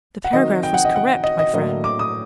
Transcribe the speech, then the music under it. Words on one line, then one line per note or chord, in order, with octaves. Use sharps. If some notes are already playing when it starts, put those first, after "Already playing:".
"The paragraph was correct, my friend."
F#5
D#3 F#3 C4 D#5
G5
F#5
D#5
F#5
D#5
D#5
A2 F#3 A#3 D4 D#5
D6
D#6